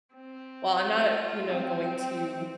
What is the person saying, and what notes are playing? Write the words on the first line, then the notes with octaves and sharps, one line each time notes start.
well, I'm not, you know, going to
C4
F4
C4